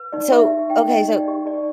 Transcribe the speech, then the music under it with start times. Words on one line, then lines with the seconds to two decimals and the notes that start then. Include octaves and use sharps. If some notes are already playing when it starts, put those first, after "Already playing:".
So, okay, so,
Already playing: B4
0.12 D#4 D5
0.32 G4 E5
0.51 D#4
0.70 D#4 G5
0.89 D#4 D#5
1.08 D#4 D5
1.28 G4
1.46 D#4 D5